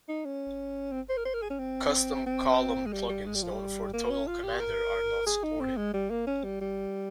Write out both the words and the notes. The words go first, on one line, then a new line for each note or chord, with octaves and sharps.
Custom column plugins known from Total Commander are not supported.
D#4
C#4
C4
C5
A#4
C5
A#4
G#4
C#4
C4
C4
G#3
G3
G3
G#3
G3
F3
G3
A#3
C#4
F4
G4
A#4
G#4
D#4
C4
G#3
G3
A#3
C#4
G3
G3